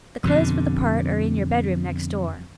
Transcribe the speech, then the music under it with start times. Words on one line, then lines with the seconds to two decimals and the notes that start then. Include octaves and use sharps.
The clothes for the part are in your bedroom next door.
0.24 F2 B2 D3